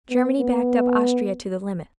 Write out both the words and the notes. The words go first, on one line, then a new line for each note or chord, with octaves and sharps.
Germany backed up Austria to the limit.
B3
B3